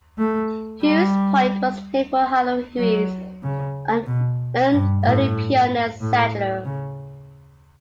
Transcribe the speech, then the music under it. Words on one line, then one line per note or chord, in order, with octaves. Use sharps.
Hewes Point was named for Paola Hewes, an early pioneer settler.
A3
G3
F#3
C#3
B2
G2
A2
A2
C#3